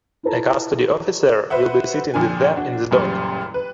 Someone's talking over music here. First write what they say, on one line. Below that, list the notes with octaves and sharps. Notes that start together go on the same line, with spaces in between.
A custody officer will be sitting with them in the dock.
E4 F4 A4 B4 A5 A#5
F#4 B4 C5 E5 F#5
F2 A#2 D3 G#5
D4 F#4
A1 F#2 A#2 C#3 G3
B4